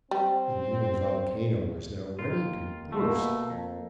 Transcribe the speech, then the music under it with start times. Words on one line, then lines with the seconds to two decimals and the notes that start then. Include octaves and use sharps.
The human volcano was now ready to burst.
0.11 G3 C4
2.19 D#2 F4
2.92 B2 A3
3.04 A#3
3.50 F2